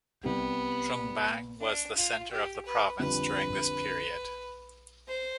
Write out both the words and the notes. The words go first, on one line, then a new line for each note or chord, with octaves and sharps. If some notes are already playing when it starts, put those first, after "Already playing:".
Jungbang was the center of the province during this period.
C2 C3 G3 B3
D4
F4
G4
B4
F2 D3 G3 D4 F4 B4
C5